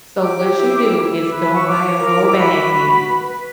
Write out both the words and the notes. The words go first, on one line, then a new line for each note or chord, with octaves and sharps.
So what you do is don't buy a whole bag then,
G4 D6
G4
E4
E4
E4
E4
B4
B5
E4
C#6
C#5 D6
C#5
A#4
E4
F#4 B5
F#4
F#4
F#4
B4
B4